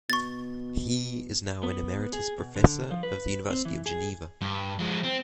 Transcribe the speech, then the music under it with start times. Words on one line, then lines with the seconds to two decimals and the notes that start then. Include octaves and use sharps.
He is now an emeritus professor of the University of Geneva.
0.10 B2 C#6 A6
1.63 B3
2.13 G#4
2.38 B2
2.56 D3
2.91 F3
3.03 B4
3.50 C4
3.65 E3
3.86 G#4
4.41 G2
4.79 F3 G#3
5.04 C4